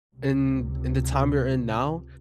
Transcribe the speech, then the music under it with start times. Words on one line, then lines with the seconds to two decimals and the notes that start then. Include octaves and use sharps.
in in the time we're in now,
0.15 C#2 C3